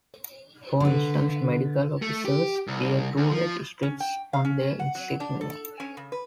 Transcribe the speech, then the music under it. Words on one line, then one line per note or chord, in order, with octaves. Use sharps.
For instance, medical officers bear two red stripes on their insignia.
D3 B4
A3
G4
C2
D2
F3
C#4
G5
F5
C#4
F#5
F#3
D4
A4
C#4
C#3
B4